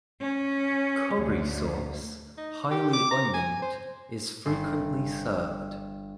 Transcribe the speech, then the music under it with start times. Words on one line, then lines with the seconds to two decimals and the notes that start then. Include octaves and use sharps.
Curry sauce, highly onioned, is frequently served.
0.21 C#4
1.15 D2
2.37 D#4
2.71 G4
2.93 D6
3.11 A#5
3.34 G#5
3.62 C5
4.45 G1 C7